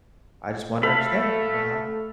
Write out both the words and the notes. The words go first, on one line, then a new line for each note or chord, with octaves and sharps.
I just wanna understand, you know, how
A3 A4 F5 B5